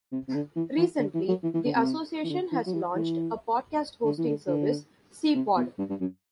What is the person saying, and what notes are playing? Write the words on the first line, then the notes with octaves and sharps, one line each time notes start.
Recently the association has launched a podcast hosting service, C pod.
C3
C3
D3
E3
E3
D3
E3
F#3
E3
E3
D3
C3
E3
D3
E3
F#3
E3
E3
D3
E3
D3
D3
C3
B2
G2
G2
F#2